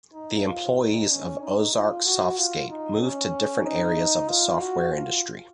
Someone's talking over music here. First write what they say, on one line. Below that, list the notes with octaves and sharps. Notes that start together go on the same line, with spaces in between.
The employees of Ozark Softscape moved to different areas of the software industry.
D#4
F4
D#4
C#4
D#4
F4
F#4
F4
D#4
C#4
D#4
F4
F#4
F4